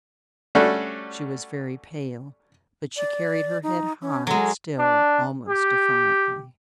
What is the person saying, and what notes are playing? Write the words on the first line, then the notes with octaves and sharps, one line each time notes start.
She was very pale, but she carried her head high still--almost defiantly.
G3 A3 C#4 D4 F#4 A4
D5
D#4
C#4
F#3 G#3 A4
D4
G4